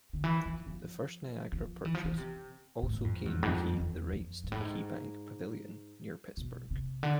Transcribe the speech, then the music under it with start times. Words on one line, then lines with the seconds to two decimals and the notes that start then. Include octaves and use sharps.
The First Niagara purchase also gained Key the rights to KeyBank Pavilion near Pittsburgh.
0.13 D3
0.24 E3
0.46 F3
0.67 F3
1.52 F3
1.85 E3
1.95 F3
2.04 E3
2.18 C3
2.83 A2
2.93 G#2
3.05 F2
3.26 E2
3.43 G#2
3.47 F2
3.79 E2
4.12 F2
4.44 G#2
4.52 A2
4.60 G#2
6.37 B2
6.71 C3
7.03 D3